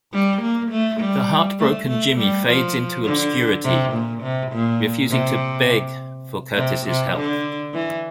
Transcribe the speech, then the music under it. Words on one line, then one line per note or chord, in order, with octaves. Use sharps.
The heartbroken Jimmy fades into obscurity, refusing to "beg" for Curtis' help.
G3
A#3
A3
G3
A3
A3
G3
F3
D3
C3
A#2
C3
A#2
C3
C3
C3
D3
E3